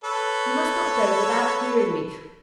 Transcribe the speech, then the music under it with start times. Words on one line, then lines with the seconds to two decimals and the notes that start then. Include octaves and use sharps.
You must not go without hearing me.
0.04 A4 B4 C#5